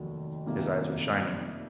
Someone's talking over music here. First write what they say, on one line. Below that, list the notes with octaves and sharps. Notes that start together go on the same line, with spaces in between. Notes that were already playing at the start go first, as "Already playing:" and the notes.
His eyes were shining.
Already playing: F1 D#2 D#3 F#3
F1 F2 C3 D#3 A#3